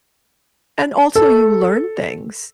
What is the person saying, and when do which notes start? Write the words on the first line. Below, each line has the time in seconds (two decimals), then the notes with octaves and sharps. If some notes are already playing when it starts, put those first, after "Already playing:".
and also you learn things.
1.16 A4